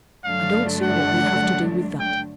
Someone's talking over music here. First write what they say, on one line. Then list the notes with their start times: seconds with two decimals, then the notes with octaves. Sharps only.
'I don't see what we have to do with that.
0.25 G2 D3 F#3 A3 D4 F5
0.83 F#5
2.00 G5